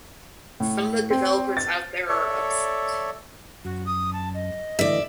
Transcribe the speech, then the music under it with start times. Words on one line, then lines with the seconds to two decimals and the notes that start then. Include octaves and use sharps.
Some of the developers out there are upset.
0.60 A2
1.11 C4
1.57 A6
2.08 A4 C#5 D5 E5
3.65 F#2 F#4
3.86 D#6
4.13 A5
4.34 D#5
4.79 A2 D3 E3 D5 E5